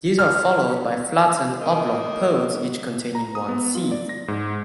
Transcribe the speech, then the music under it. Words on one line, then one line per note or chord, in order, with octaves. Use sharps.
These are followed by flattened oblong pods each containing one seed.
F6
A#3 D#5
A#5
D#6
B3
F4
D5
A#6
G#2